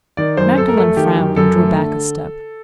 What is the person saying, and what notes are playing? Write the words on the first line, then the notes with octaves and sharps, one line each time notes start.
Magdalen frowned, and drew back a step.
D#3 D5
F#2 C5
F#2 A4
A#4
A3 A4
D#3 G4
F#2
F#2 A4
A3
D3